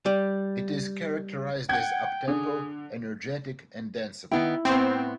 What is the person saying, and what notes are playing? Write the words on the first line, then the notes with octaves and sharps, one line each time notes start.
It is characterized as uptempo, energetic, and danceable.
G3
F#5 G5 G#6
D3 G#4
D#3 B3 E4 G5
A2 B3 C4